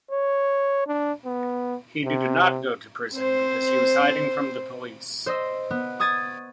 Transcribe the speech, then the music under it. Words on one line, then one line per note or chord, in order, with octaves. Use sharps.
He did not go to prison because he was hiding from the police.
C#5
D4
B3
C3
C4 C5
C5 D#5 E6
B3
C#6 D#6 G#6 A6 D#7